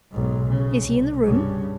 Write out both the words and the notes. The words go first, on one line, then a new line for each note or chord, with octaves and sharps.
Is he in the room?
B1 G#2
C#3
C2
G2 C#3